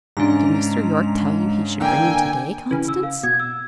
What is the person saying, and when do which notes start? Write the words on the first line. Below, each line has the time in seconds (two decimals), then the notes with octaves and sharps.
"Did Mr. Yorke tell you he should bring him to-day, Constance?"
0.17 G#2 C#3 G#3 D4 A#5
1.81 D3 A#3 G5 G#5 A#5 E6
2.71 C#3 E3
2.88 E6
3.03 F5
3.23 B2 G#6
3.40 E6